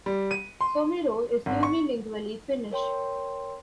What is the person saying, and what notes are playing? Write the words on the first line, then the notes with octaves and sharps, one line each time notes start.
Somero is unilingually Finnish.
G3
D#7
C6
G#1
C#6
A#4 C#5 G5 C6